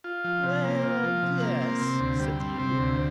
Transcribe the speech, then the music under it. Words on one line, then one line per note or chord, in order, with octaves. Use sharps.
"Well--yes," said the Idiot.
F4
F3
C3
A#3
F4
F3
C3
A#3
C4
C3
D2
G3
C4
C3
D2